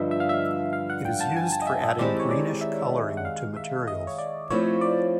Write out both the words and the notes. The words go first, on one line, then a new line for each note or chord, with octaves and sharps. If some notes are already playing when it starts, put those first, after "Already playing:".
It is used for adding greenish coloring to materials.
Already playing: G2 D3 F3 D#5 E5
E5
F5
E5
F5
F#5
G5
A5
G#5
A5
D#5
E5
D#5
D#3 G#3 C4 E4 G4 D5
C#5
D5
E5
F#5
F5
E5
D#5
C#5
D5
F3 A3 C4 E4 C#5
D5